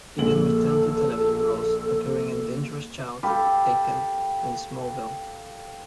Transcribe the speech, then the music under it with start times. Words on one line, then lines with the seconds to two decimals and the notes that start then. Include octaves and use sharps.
He then returned to television roles, appearing in "Dangerous Child", "Taken", and "Smallville".
0.18 A#1 A#2 A4 F#7
3.23 G4 A4 F5 B5